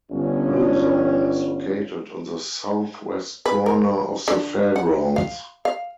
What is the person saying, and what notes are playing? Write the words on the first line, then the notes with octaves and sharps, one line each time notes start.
Thrill Zone is located on the southwest corner of the Fairgrounds.
G1 C#4
B4
A#4
D3
F#5
F5
F5